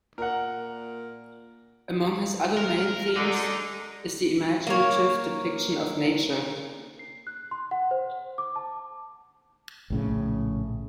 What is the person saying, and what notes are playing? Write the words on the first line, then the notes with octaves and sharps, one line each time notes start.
Among his other main themes is the imaginative depiction of nature.
A#2 A#4 F#5
A#4
F#2 D3 D#4
A#3 C#5
C7
F#6
C6
F#5
C5
C5
D6
A5
A#1 A2 C#3